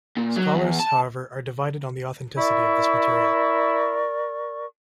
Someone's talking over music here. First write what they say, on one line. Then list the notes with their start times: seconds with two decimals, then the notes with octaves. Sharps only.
Scholars, however, are divided on the authenticity of this material.
0.17 A#2
0.36 F#3
0.55 E2
0.80 A5
2.38 E4 A#4 D5 C#6